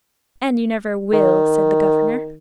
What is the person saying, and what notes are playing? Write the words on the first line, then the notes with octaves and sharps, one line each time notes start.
"And you never will," said the governor.
D#3